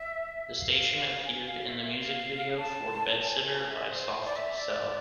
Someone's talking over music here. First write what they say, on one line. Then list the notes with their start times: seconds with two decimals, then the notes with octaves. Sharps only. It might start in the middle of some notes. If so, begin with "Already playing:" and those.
The station appeared in the music video for "Bedsitter" by Soft Cell.
Already playing: E5
0.58 F5
1.24 G#5
1.47 F5
1.69 E5
1.91 F5
2.57 A5
3.24 G#5
3.47 G#5
3.69 E5
3.91 C5
4.14 G#5
4.25 D5
4.36 E5
4.57 D5